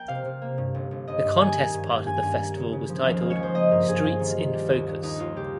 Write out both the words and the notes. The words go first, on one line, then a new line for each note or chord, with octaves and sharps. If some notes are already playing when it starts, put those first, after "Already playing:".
The contest part of the festival was titled "Streets in Focus".
Already playing: A#3 G5
C3 F5
C3
A#3
G2
G1
G1
G1 D#5
G2
D#3 G#5
A#3
G2
G2
G2 G#5
G2
A#3
C#3
C#3
F3
D#2 F5
G#3
C#5
F3 C5
A#3 D#5
G2 A#4
G2 G#4
G2 F4
D#3
D#3
G3
D#2
D#2
D#2 D#4
D#2 F4
C#3 G4